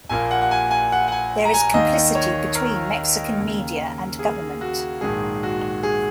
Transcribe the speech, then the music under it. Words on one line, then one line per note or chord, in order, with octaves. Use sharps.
There is complicity between Mexican media and government.
A#1 A#2 A#3 G#5
F#5
F#5
G#5
G#5
F#5
F#5
G#5
A#5
G#5
D#2 D#3 A#3 D#5
C#5
A#4
D#2 C#3 A#3
G#4
F#4
A#1 G#2 D#3 G#3 G#4
F#4
G#4